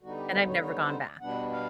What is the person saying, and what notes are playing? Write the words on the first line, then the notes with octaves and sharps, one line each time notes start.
and I've never gone back.
D3 G3 B3 D#4 F#4
G4
C5
C#5
C#5
C5
B2 G3 B3 D4 F#5
F5